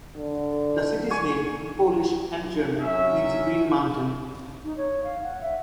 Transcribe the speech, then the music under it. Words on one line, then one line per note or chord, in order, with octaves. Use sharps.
The city's name, in Polish, and German, means "green mountain".
D3
G#5 C#6
F#3 C#4 E5
D#4
C#5
F5
F#5
E5